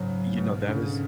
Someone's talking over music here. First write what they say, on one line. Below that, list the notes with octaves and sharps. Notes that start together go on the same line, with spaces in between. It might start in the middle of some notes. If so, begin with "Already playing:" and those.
you know, that is
Already playing: G#2 C#3 F#3
G#2 B2
D3
C#3
C#4